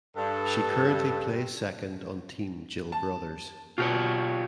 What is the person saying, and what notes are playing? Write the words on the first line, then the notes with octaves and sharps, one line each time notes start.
She currently plays second on Team Jill Brothers.
G2 A4
A5
B2 F4 G4 C#5